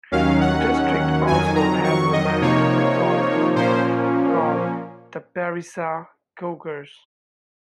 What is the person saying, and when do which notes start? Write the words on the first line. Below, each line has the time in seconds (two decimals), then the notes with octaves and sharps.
The district also has an American football team called the Berryessa Cougars.
0.12 D#2 D#3 F#3 C#4 F5
0.41 F#5
1.27 F2 D#3 F#3 G#5
1.55 A#5
1.84 C#6
2.13 D#5
2.41 C3 F3 A#3 D#4 C#5
3.55 A#2 F3 A#3 C#4 C5